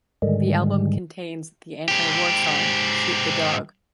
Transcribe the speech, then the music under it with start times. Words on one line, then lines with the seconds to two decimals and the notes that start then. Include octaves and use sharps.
The album contains the anti-war song "Shoot the Dog".
0.22 G#2 D3 D#3 G3 G#3
1.88 G#2 G4